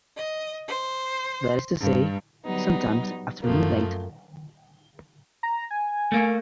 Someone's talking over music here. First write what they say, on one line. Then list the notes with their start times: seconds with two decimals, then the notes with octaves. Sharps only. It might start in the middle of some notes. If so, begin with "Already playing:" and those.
That is to say, some time after midnight.
0.17 D#5
0.68 C5
1.80 G2
2.43 F#3 G3 B3 D#4
3.41 F#2 F3 A3 A#3
5.43 A#5
5.71 G#5
6.12 A3 A#3